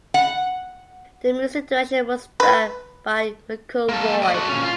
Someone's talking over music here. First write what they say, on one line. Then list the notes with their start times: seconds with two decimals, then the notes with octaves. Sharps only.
The music direction was done by Mukul Roy.
0.14 F#5
2.40 B4
3.89 A#3 A4
4.22 D5 D#5
4.35 F#4 A4
4.49 A#2 C#4
4.63 F4